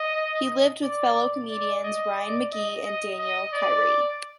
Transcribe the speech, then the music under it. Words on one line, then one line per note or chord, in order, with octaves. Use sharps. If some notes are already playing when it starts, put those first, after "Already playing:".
He lived with fellow comedians Ryan Magee and Daniel Kyre.
Already playing: D#5
D5
D5
D#5
D5
D#5
D#5
D#5
D5